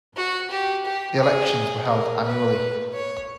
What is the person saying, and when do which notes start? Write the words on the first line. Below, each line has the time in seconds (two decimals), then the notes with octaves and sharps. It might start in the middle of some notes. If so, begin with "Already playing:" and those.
The elections were held annually.
0.16 F#4
0.51 G4
0.85 G4
1.20 G#4
1.89 A#4
2.24 B4
2.93 C#5